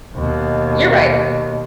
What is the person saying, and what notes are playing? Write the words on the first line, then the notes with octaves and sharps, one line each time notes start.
you're right.
D#2 B2